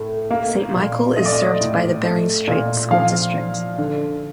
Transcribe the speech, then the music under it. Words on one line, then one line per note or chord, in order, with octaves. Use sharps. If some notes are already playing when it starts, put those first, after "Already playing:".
Saint Michael is served by the Bering Strait School District.
Already playing: A2 A3
A#3
A#2
A3 D#5
D5
D#5
A2
A3
A#2
F3 F5
F3
D3